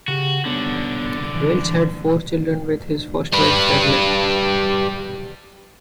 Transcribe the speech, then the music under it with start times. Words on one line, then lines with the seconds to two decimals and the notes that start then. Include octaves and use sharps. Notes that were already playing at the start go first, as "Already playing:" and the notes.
Welch had four children with his first wife, Carolyn.
0.08 C#3 F#4 G4
0.45 C2 D3 B3 D4 C#5
1.35 E3 D5
3.33 G3 B4